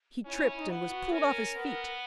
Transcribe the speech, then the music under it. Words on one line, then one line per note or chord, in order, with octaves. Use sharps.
He tripped and was pulled off his feet.
C#4 E4
E4
E4
D#4
B3 E4
F#4
C#4 A#4
B3